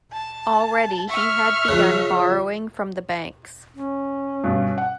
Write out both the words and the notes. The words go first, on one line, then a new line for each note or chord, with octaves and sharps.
Already he had begun borrowing from the banks.
A5
E5 C#6 F6
C#3 F3 F#6
C#4
G2 B2
F#5